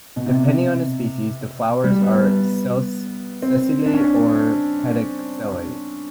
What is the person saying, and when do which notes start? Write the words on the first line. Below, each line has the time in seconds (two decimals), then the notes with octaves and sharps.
Depending on the species, the flowers are sessile or pedicellate.
0.16 B2
0.26 C3
1.84 G3
2.01 B3
2.19 B3
3.42 C4
3.86 D4
3.94 C#4